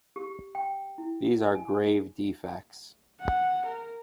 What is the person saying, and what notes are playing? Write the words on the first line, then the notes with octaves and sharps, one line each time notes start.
These are grave defects.
G4
G5
E4
G#5
F#5
A#4